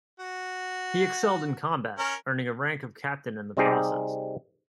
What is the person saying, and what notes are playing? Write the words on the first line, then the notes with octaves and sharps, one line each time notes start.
He excelled in combat, earning a rank of captain in the process.
F#4
C#4 A#4
C3 G3 C4 D#4 G4 G#4